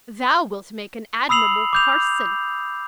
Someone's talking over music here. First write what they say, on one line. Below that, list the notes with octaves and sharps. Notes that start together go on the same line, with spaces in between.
Thou wilt make an admirable parson.
B5 D#6 E6 C7 F7 F#7
D6 G6 F7